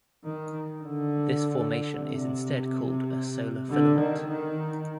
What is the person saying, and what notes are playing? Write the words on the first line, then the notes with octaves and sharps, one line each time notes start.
This formation is instead called a solar filament.
D#3
D3
C3
D3
D#3
D#3